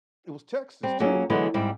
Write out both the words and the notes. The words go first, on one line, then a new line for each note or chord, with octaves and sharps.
It was Texas, too.
G3 C4
F#3 A#3 C#4 F4 G#4
D3 E3 F#3 G#3 B3 E4
G#2 G3 C4 E4